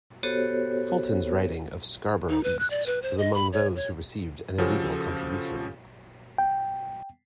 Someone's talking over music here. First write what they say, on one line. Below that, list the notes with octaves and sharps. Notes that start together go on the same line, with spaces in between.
Fulton's riding of Scarborough East was among those who received an illegal contribution.
B3 F#4 G4 A4 C5 C#5
D#4
B4
F#6
D5
B4
C5
D#5
B5
C#5
C#5
C#3 F3 C#4 F#4 G4 A4
G5